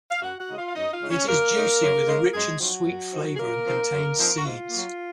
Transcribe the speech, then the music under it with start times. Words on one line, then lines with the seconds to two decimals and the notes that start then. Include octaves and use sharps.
It is juicy with a rich and sweet flavour and contains seeds.
0.11 F5
0.22 F#2 F#4 F#5
0.40 F#4 F#5
0.48 C#3 G#3 D#4 D#5
0.58 F4 F5
0.68 F5
0.75 F#2 D#4 D#5
0.93 F4 F5
1.01 C#3 G#3 D#4
1.10 C#4 C#5
1.28 F#2 A#3 A#4
1.54 C#3 G#3 D#4
1.81 F#2
2.07 C#3 G#3 D#4
2.33 F#2 G#3 G#4
2.60 F3 F#3 C4 D#4 F#4
2.86 F#2
3.13 F3 C4 D#4
3.35 G#4
3.39 F#2 A#3 A#4
3.65 F3 C4 D#4
3.91 F#2
4.18 F3 C4 D#4
4.37 F#4
4.44 G#2 F4
4.71 F#3 A#3